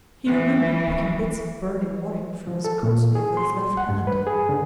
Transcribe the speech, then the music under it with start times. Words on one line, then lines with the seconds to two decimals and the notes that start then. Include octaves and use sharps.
He remembered picking bits of burning wadding from his coat sleeve with his left hand.
0.26 E3
2.47 F3
2.64 A4
2.83 A#2
3.15 G#4
3.37 C6
3.77 F#5
3.89 G2
4.07 B4
4.27 G#4
4.49 D3